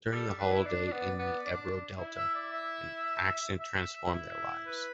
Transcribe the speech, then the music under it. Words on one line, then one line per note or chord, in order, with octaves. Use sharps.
During a holiday in the Ebro Delta, an accident transforms their lives.
G3 A4
D5
D4 B4
E4
D4 D5
D4
B3 D5
B3
D4
E4
E5
D5
E5
E5
E4 E5
B4